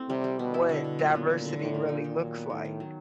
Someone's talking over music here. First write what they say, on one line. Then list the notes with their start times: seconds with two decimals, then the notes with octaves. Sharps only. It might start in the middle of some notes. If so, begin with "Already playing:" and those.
what diversity really looks like,
Already playing: A3 C4 E4
0.09 C3 G3
0.24 G3
0.39 B2 B3
0.54 E4
0.69 D3
0.84 D3
0.99 A#2 F#3
1.15 B3
1.30 D3
1.45 D3
1.59 A2 F3
1.74 A#3
1.89 A#2 D#4
2.04 D#3
2.19 A#2 F#3
2.34 B3
2.50 A2 D#3
2.65 D#3
2.80 F#3